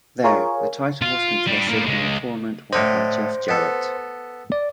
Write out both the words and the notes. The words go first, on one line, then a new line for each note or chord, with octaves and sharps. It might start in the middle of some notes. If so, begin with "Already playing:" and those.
There, the title was contested in a tournament won by Jeff Jarrett.
F4 G#4 A#4 C#5
F4
G3 D4
A2 A#3
C#2 G#3
A2 D3 C5 D#5
B3 A4
D5